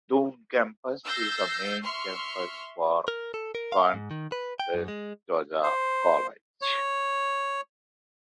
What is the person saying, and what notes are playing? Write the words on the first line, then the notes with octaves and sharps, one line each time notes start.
Doon Campus is the main campus for Conestoga College.
E6 G6 A6 A#6 C7
E5 C6 C#6 F6
A#4
A4
A#4
F5
G#2
D#3
B4
G5
F#2
G#3
C5
C#5